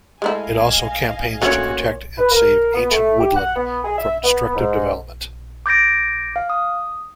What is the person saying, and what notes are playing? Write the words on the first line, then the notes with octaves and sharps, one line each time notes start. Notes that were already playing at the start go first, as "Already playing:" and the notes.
It also campaigns to protect and save ancient woodland from destructive development.
G#3 A3 E4 D#5 F5 G#5
A#2 A3 C#4 F#4 C#5
B4
A#4
B3
A3
G4
F#5
B3
G#4
E5
B3
G#2
D6 G6 A6 A#6 D7
F5
D#6